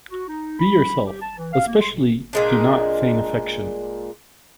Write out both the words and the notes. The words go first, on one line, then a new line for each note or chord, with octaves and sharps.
Be yourself. Especially do not feign affection.
F#4
D#4
B5
G4
A5
E3
F5
A#3
C6
B2
A#2 G#3 D4